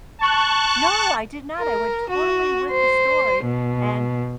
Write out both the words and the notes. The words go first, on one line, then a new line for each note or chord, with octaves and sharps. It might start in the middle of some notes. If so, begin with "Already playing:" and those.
No, I did not, I went totally with the story and
A5 C#6 F#6
A#4
F#4
C5
B2